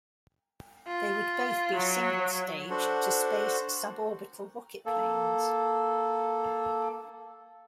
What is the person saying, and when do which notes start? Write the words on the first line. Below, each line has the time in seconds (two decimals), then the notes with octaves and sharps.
They would both be single-stage to space sub-orbital rocketplanes.
0.87 F4
1.75 F#3
2.70 D4 F#4 A4 C5 F#5
4.86 A#3 A4